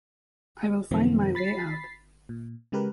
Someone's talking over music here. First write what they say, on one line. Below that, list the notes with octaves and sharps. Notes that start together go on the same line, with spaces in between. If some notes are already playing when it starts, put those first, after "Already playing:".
I will find my way out.
F#2 C3 D#3 F3 A#3 C4
B5 A6 B6 C7
A#2
C#3 G#3 G4 A#4 B4